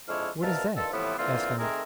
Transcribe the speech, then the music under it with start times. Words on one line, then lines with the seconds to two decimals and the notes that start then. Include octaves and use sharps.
"What is that?" asked Andrea.
0.08 F2 G#3 D4 E4 C#5 F6
0.42 C2 B2 A#4 E5 F5 A5
0.77 G2 D#3 F4 A4
0.92 A2 C3 E3 F3 G3 B3
1.18 D3 E3 A#3 C4 F4
1.59 D#3 A3 C4 G#4 A#4